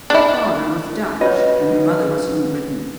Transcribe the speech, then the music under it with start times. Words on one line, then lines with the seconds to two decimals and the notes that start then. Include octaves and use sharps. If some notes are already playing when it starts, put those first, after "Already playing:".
Her father was Dutch and her mother was from Brittany.
0.10 D4 E4
1.21 C#4 F4 F#4 B4 C#5 D#5